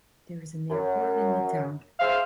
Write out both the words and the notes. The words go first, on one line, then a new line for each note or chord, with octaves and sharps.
There is an airport in the town.
F#2
G#4 C5 E5 F5